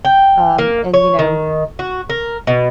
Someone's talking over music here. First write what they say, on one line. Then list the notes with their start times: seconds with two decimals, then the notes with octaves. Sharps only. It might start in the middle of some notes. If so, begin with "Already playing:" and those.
Um, and, you know,
0.05 G5
0.58 A#3
0.94 C#5
1.19 D#3
1.79 F#4
2.10 A#4
2.47 B2